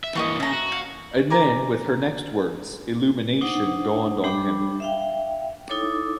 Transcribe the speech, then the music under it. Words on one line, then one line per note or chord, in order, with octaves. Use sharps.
And then, with her next words, illumination dawned on him.
E5
E3 A#3 D#5 F#5 C#6
C#3 E5 A#5
F#4
F5
A#4 G#5 A#5 D6
D4 D#4 C5 F#5
G3 D4 G4 B5 D6
E5 F5 G5
D#4 E4 A4 C#5 D6